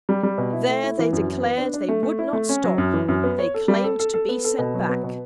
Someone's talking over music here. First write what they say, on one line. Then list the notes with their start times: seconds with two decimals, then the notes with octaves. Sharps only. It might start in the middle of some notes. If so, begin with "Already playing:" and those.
There, they declared, they would not stop; they claimed to be sent back.
0.09 G3
0.23 G3
0.38 B2
0.53 E4
0.68 A3
0.83 E4
0.99 E3
1.13 F#2
1.28 E3
1.43 B3
1.58 D4
1.73 D4
1.88 A3
2.03 A3
2.19 E4
2.33 A3
2.49 C#4
2.64 F#3
2.78 F#2
2.94 E3
3.08 F#2
3.24 B3
3.39 C#5
3.54 A4
3.68 G3
3.84 A4
3.99 A4
4.14 A4
4.29 B3
4.44 A4
4.58 B2
4.74 F#3
4.89 B3
5.04 B2